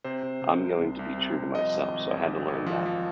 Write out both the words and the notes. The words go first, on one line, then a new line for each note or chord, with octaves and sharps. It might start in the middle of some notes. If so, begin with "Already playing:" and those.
I'm going to be true to myself, so I had to learn that.
C3 C5
C3
C3
C2
C2
C2
C3
C2
F3 D#5
G#1
G#1
G#1
G#1
G#1
F3
F3